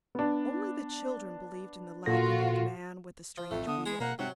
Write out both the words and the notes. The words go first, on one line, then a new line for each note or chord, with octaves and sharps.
Only the children believed in the laughing old man with the strange wheel.
B3 D4
A#2 F4 F#4 A4 A#6
F3
A1 F2 A3
D3 B3 D#6
G#3 G#4 A#5 B5
B2 A#3 F#5
G#2 C3 F#3 F#5